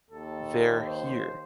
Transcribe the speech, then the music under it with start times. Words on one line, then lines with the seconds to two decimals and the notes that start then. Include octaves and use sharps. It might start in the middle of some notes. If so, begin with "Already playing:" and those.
They’re here.
0.11 D#2 A4
0.86 C5